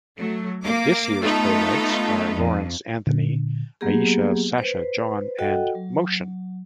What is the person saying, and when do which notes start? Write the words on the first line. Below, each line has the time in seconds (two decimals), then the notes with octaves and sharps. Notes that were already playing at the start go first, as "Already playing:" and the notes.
This year's playwrights are Laurence Anthony, Aisha Sasha John and Motion.
0.18 F#3 A3
0.65 A#3 D6
1.21 A3 B3 D#4 F4 A4
2.35 F2
3.07 A#2 D3
3.81 F#3 A#3 B3 G4 G#4
4.58 B4 C5
5.39 F#4 A4 D#5 F#5 G5
5.75 F#3